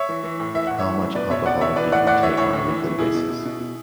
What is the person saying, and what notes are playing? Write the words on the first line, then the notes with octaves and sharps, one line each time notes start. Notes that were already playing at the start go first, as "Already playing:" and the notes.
How much alcohol do you take on a weekly basis?
Already playing: C#5 E5
E3
E3
A2
E3 E5
A2 F#5
C#5 E5
E3
A2
B2 B4 D5
B2 C#5 E5
B2 D5 F#5
B2 C#5 E5
E3 B4 D5
A2 D5 F#5
A2 D5 F#5
E3 C#5 E5
A2 C#5 E5
A2
E3
E3
B2 E4 G#4
B2
B2
B2
B2